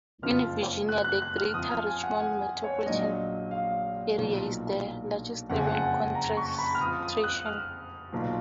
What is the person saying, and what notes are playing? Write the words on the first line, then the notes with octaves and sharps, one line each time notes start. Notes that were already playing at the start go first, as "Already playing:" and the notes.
In Virginia, the Greater Richmond metropolitan area is the largest urban concentration.
F#1 F2 F3 F6
F#6
F#6
F#6
F6
F2 F3 D#6
F6
G#5
F#5
G#5
G#5
C#5
A#1 A#2 F#3 D#5
F5
B1 A#2 F3
F#1 F2 C#3 F#5
G#5
F#5
A#5
C#6
B5
F6
F2 F3 D#6
D#6
F#6
F6
B1 A#2 F3